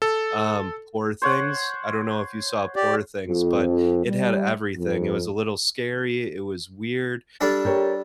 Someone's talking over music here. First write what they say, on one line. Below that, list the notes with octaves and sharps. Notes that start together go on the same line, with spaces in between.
um, Poor Things, I don't know if you saw Poor Things, but it had everything. It was a little scary, it was weird,
A4
C5 C#5 F#5
G4 D5
F2
G3
F2
G3 D4 A4
G4 A#4 C#5